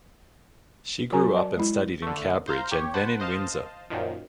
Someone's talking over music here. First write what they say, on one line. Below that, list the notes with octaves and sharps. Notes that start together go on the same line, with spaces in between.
She grew up and studied in Cowbridge and then in Windsor.
F#3 F#4 A#4 G#5 A#5
D5 A5
G#3 E4
D3 A3
C5 F5 A#5 G6
G4 C#5
C5 F#5 A5 B5
C5 D#5 F5 A5
F#2 A#2 D#3 F3